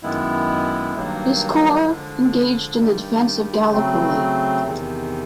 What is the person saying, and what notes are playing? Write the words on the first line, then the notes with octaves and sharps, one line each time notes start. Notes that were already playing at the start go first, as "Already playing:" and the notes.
His corps engaged in the defense of Gallipoli.
F#2 D#3 G#3 B3 E4
G2 D#3 F#3 A#3
D3 F3 G#3
G2 D#3 G3
C#3 F#3 A3 C4
E2 C3 D#3